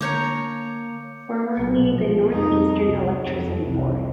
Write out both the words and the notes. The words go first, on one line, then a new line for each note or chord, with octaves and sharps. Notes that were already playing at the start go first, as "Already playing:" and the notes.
Formerly the North Eastern Electricity Board.
D3 A#3 C#5 A#5 D6 G6 C#7
B1 A#2
F3
F2 D#4
C2
F2
C2